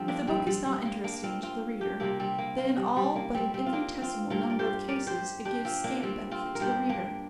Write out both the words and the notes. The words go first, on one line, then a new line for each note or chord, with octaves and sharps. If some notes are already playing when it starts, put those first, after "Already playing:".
If the book is not interesting to the reader, then in all but an infinitesimal number of cases it gives scant benefit to the reader.
Already playing: G2 D3 F3 G3 C4
A#3 D4
G3 C4
G3 C4
G3
A#3
A#3 D4
C4 F4
C4 F4
D4 G4
C3 G3 A#3 D4
G3 C4
A#3
A#3
G3
G3
A#3
G3 C4
G3 C4
F4
A#3 D4
C4 F4
G2 G3 F4 A#4
D5
G4 C5
A#4 D5
G4 C5
D4 G4
C4 F4
A#3 D4
G3 C4
C4 F4
A#4
G2 G3 G4 C5
A#3 D4